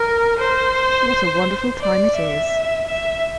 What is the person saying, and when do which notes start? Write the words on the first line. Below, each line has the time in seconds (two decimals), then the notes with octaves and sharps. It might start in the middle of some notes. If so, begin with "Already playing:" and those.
What a wonderful time it is!
Already playing: A#4
0.39 C5
1.81 D5
2.16 E5
2.87 E5